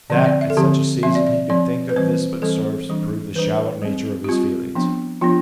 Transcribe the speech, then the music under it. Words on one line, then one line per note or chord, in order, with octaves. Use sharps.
That at such a season he could think of this but serves to prove the shallow nature of his feelings.
D3 F3 C4 D5
D5
E5
A4
D3 F3 C4 G4
F3 C4 E5
D5
D5
F3 C4 D5
B4
E3 G3 C4 C5
E3 G3 C4 A4
E3 G3 D4
E3 G3 D4 B4
G3 C4
G4
G3 C4 F4
F3 B3 D4
F3 B3 D4 F4